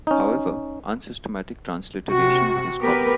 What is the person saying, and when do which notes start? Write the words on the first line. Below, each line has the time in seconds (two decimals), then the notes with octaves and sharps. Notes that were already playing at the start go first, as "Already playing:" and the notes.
However, unsystematic transliteration is common.
0.07 C#4 D#4
2.10 C3 F#4
2.80 B3 G4 A#4 B4